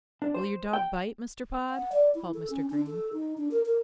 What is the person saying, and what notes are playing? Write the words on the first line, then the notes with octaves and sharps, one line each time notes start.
"Will your dog bite, Mr. Pod?" called Mr. Green.
D4
C5
G5
F#5
D5
E4
A4
C#4
D4
A4
D#4
D4
A#4
A#4